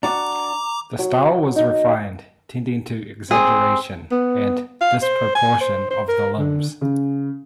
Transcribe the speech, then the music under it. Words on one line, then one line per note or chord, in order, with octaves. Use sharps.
The style was refined, tending to exaggeration and disproportion of the limbs.
D4 F#4 A#5 D6
F#3
D#4
C4 G#4
B3
F5
C5
G#5
C5
C5
A#4
D3
C#3